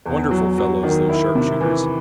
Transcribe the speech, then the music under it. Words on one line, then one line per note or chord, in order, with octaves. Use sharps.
Wonderful fellows, those sharpshooters!
E2
F#3
F#3
D#3
E4
C3
E3